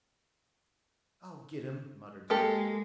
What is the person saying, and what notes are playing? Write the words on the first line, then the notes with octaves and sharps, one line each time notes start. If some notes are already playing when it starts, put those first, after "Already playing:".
"I'll get him!" muttered Tom.
G#3 A#3 G4 A4